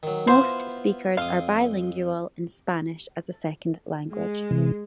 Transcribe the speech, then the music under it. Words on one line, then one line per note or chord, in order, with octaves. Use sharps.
Most speakers are bilingual in Spanish as a second language.
D#3 F#3
B3 E4 F4 C5
F2 F5 C6 D#6
G#3
C3 E3